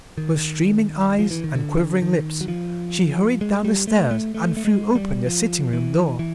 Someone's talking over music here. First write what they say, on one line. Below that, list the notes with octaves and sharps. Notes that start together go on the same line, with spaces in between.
With streaming eyes and quivering lips she hurried down the stairs and threw open the sitting-room door.
D#3
F3
E3
D#3
D3
D#3
F#3
F3
G#3
G3
A3
A3
A3
A3
G#3
G3
F3
E3
E3